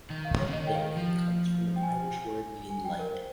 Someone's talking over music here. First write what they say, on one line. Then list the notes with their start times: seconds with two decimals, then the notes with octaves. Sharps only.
Their name comes from an Irish word meaning "light".
0.10 D#3
0.25 F5
0.39 C#5
0.47 C#3
0.53 D#3 D#5
0.67 G5
0.74 F5
0.97 F3
1.76 G5
1.83 G#5
2.70 G#5
2.85 G5
2.99 A#4
3.14 C5